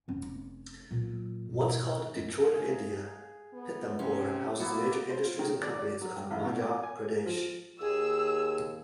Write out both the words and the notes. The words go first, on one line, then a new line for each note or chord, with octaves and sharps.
Once called, 'Detroit of India', Pithampur houses major industries and companies of Madhya Pradesh.
F1 C#4
A#2 F#3
G#2 B2
F#2
G#4 F5
B3
C3 C#4 C6
A#3 B3 E4 F#4
C5
F4
D#3
D5
D5
F#3
G2
A1
B2
D6
G#5
F3
D#2 G#4 E6